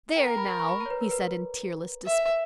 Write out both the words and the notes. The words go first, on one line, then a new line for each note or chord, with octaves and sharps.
"There now!" he said in tearless despair.
A#4 G5
A#5
B5
A#5
C#6
B5
A#5
C#5
B4
A#4
B4
E5